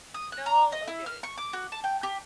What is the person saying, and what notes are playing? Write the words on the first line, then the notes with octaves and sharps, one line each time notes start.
No? Okay.
D#6
F#6
A#5
D#5
E4
F6
C#6
D6
F#4
A5
G5
G4